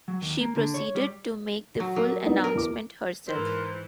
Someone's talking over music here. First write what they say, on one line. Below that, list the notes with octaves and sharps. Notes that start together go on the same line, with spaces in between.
She proceeded to make the full announcement herself.
F#3
D#2
A#3
D3
C#5
G3
F#3
F#3 A#3
B3 D4 D#4
A#4
E2 D6
G#2 E3 A#4 C5